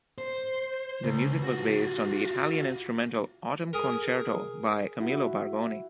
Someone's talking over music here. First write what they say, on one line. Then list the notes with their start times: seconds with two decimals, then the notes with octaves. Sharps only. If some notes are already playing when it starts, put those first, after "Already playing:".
The music was based on the Italian instrumental, "Autumn Concerto," by Camillo Bargoni.
0.18 C5
1.04 C#2
1.43 F4 F#4
3.73 G#4 A#4
5.00 E4 F#4